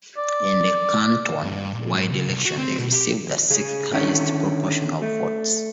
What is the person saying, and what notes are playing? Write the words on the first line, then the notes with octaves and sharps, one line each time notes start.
In the canton-wide election they received the sixth highest proportion of votes.
D5
G2
A#2
G#2
C#3
C2
F#4
C4
B2
G4
C#3 G#4
D3 D#3 C#4 E4
A3